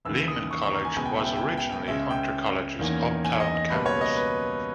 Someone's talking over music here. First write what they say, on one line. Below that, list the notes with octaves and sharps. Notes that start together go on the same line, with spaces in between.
Lehman College was originally Hunter College's uptown campus.
D#2 C#3 E3 E6
D#6
C#6
C#6
A#5
G#5
C#2 B2 G#3 B3 G#5
G5
E5
G5
G5
G#5
G5
G5
C#2 C#3 G#3 C#4 E5
G5
E2 D#3 A#3 C#4
G#5
D#5
D#5
C#2 B2 G3 A#3 B4
C#5
D#5
B4